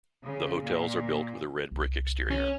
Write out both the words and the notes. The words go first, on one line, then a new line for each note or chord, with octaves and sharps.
The hotels are built with a red brick exterior.
C#3
A#2
C2
C#4